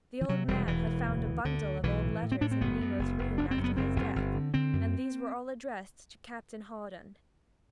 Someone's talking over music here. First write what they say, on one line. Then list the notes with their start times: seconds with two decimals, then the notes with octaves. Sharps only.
The old man had found a bundle of old letters in Nemo's room after his death, and these were all addressed to "Captain Hawdon."
0.21 E3
0.29 C3 F#3
0.48 E1 G3
0.67 E1 E3
0.87 E1
1.06 D2
1.26 D2
1.45 D2 D3
1.64 D2
1.83 B1 E3
2.02 A2
2.22 A2
2.32 C4
2.41 A2 D4
2.51 C4
2.61 F#1 B3
2.81 F#2
2.99 F#1
3.19 F#1
3.38 F#1 D4
3.51 C4
3.58 F#2
3.64 B3
3.77 F#1 C4
3.96 F#1
4.16 G1
4.35 D3
4.54 D3 C4
4.73 F#2